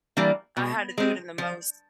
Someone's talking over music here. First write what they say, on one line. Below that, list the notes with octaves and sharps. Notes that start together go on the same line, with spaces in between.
I had to do it in the most
E3 G3 A#3 D4
B2
G#3 C4
F3